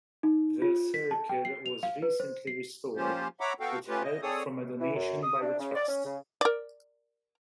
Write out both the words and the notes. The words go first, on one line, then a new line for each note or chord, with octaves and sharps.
The circle was recently restored with help from a donation by the trust.
D#4
F4
B6
A5
G5
C7
F7
F5
B4
C5
C7
F3 A#3 C#4 F4 G4 C5
C#5 E5 F#5 A#5 B5 D6
B3 F#4 A4 F5 G5
A3 C#4 F4 G4 B4
D#5
C4 G#4 A4 C#5 D5 D#6
E3
F#2
D#6
D4
C#3
D5
C#4
C#3
A#4 D5